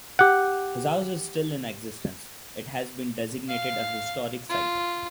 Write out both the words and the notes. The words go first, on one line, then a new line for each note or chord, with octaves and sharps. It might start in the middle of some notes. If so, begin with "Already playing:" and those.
His house is still in existence; it has been designated a historic site.
G4 F#5
F5
F4